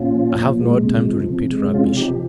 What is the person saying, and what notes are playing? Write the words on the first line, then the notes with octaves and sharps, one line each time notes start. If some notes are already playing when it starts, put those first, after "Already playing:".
I have no time to repeat rubbish.
Already playing: A#2 C#4 F4
F3
A#2
G#3
C3
F3
C3
G#3
C3 C#4 F4
F3 D#4 G4